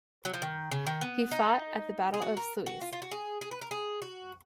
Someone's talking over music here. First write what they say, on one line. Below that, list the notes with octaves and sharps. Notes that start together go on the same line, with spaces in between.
He fought at the Battle of Sluys.
F#3
F3
D#3
C#3
D#3
B3
D#4
G#4
F#4
A#4
F#4
F4
F4
F#4
G#4
G#4
B4
A#4
G#4
F#4